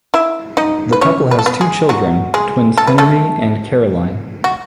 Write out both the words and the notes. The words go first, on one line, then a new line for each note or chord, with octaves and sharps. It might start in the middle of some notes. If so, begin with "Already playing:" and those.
The couple has two children: twins Henry and Caroline.
E4 E5
D#4 D#5
B4
C#4 C#5
B4
A4
B3 B4
G#3 G#4
F#3 F#4
G#3 G#4
A4
B4
A3 A4
F#4